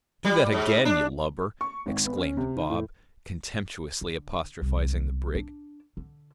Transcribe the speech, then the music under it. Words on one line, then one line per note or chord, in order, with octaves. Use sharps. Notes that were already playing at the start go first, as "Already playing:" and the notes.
"Do that again, you lubber!" exclaimed Bob, contemptuously apostrophising the brig.
G3
G#2
D4
C#6
G#1
B3
C#4
C3
D#3
A2
D3
C2
D4
D3